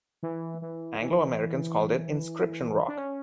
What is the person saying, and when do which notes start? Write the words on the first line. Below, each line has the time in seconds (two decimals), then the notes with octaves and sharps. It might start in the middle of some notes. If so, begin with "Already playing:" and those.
Anglo-Americans called it Inscription Rock.
0.23 E3
0.62 E3
1.01 E3
2.88 D4
2.98 C#4